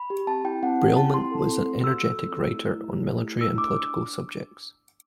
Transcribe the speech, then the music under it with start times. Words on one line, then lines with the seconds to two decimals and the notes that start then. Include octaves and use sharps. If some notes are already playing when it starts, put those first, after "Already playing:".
Brialmont was an energetic writer on military and political subjects.
Already playing: B5
0.10 G4
0.27 C4 A5
0.44 E4 G5
0.63 C4 F#5
0.79 G4
0.96 C4 A5
1.14 E4 C6
1.31 A4
1.49 C4
1.67 A3
1.84 F#4 E6
2.01 A4
2.19 C4
2.37 A3
2.54 E4
2.70 A3
2.88 G4
3.06 A3
3.23 E4
3.40 A3 E6
3.58 D4 D6